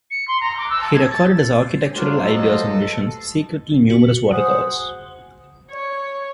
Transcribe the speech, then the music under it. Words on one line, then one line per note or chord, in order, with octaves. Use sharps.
He recorded his architectural ideas and visions secretly in numerous watercolors.
C#7
C6
A#5
D6
E6
A5
G#6
A6
F#3 G3 A3 D4 F4 C5
F4 A4 B4 D#5
F#4
G#4 C5 F#5
C#5